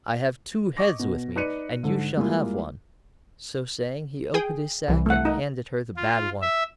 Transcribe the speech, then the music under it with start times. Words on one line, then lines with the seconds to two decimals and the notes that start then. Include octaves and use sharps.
'I have two heads with me, and you shall have one.' So saying, he opened his sack, and handed her the bad one.
0.77 D#5 C#6 D6 A#6
0.99 B2
1.36 D#4 B4 D5 F#6 C#7 D#7
1.83 G#2 D3 A4
2.17 G3 G#3 A#3 E4 F4
4.34 G#4 G5 D#6
4.88 C2 E3
5.06 A3 F#5
5.25 D#4
5.97 F4
6.42 E5